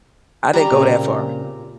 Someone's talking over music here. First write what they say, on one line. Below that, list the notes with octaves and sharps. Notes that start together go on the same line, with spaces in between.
I didn't go that far.
G3 A#5
A#2 C#3 C4